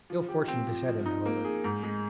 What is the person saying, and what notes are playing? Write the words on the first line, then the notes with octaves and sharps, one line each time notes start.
Ill fortune beset him, however.
F3
G4
C4
F3
F3
D#4
A#3
G#4
G#2
G#3